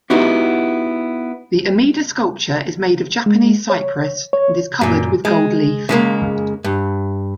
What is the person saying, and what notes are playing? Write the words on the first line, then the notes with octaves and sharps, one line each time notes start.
The Amida sculpture is made of Japanese cypress and is covered with gold leaf.
B3 D#4 E4 F#4 G4
G#3
C#5
C#5
F#2 A#2
G#3
C#3 G#3 A#3
G2